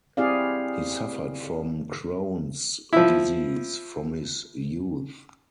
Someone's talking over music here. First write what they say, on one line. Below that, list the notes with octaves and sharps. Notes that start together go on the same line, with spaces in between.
He suffered from Crohn's disease from his youth.
C4 E4 G4 G#4 D5 F5
F3 E4